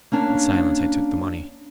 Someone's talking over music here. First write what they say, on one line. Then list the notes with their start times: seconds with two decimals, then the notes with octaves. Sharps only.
In silence I took the money.
0.12 A#3 C#4 D4 C#5